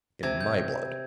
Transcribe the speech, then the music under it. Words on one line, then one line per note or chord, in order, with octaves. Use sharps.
In my blood!
C3 G#6
G6